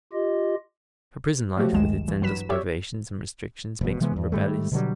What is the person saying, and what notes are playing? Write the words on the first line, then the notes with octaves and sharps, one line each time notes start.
For prison life with its endless privations and restrictions makes one rebellious.
F4 G4 D#5
F3 F#3 A3 F#4 G4
A1 D2 G2 D#3 G#3 E7
E3
G2 F#3 B4 B6 E7
G4 C#5 D5 E5
E1 B2
C3 E3 G#3 B3
E2
G#2 D#3 G3 A3
B2 D3 F#3 G3